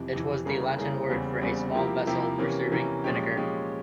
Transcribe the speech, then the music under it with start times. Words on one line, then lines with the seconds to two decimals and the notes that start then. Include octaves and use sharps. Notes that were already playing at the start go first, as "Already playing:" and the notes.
It was the Latin word for a small vessel for serving vinegar.
Already playing: F2 C3 E3
0.13 F2 C3 E3
0.45 C#3 G3 A#3 E4 G#4
0.77 C#3 G3 A#3 E4 G#4
1.10 E2 C#3 G3 C4
1.42 E2 C#3 G3 C4
1.75 C3 F3 A#3 E4 G4
2.07 C3 F3 A#3 E4 G4
2.38 C3 E3 A#3 C#4
2.72 C3 E3 A#3 C#4
3.04 A#2 F3 G#3 C#4 G4
3.36 A#2 F3 G#3 C#4 G4